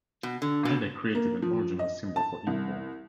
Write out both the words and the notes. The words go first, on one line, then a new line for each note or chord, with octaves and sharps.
Aida created an original symbol for "equal".
B2
D3
B2
A#3
F3
D#5
A5
C2